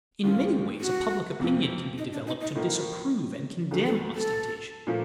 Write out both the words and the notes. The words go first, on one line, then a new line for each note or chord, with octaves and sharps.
In many ways a public opinion can be developed to disapprove and condemn ostentation.
D#2 C#3 F3 F4
F#4
F2 C3 F3
D#4
D4
D#4
D#4
A2 F3 A#3
D2 D3 F#3 A3 G#4
A4
A4
A#2 F3 A3